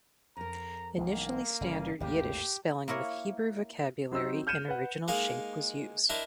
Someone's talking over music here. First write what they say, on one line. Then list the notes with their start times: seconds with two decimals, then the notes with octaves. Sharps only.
Initially standard Yiddish spelling with Hebrew vocabulary in original shape was used.
0.37 F2 A#4 A#5
0.98 B1 E3 G#3 A#3
1.61 G1 C#3 G3
2.00 G#1 D#2 A2 A#3 G4
2.88 A#3 E4 A#4 C#5
4.11 F#3 C4 D#4 E6
4.47 F6 G6 C#7 D#7 E7
4.68 B4 F#5
5.08 G#3 A#3 D#4 F5
6.09 D4 E4 A#4 C5 D#5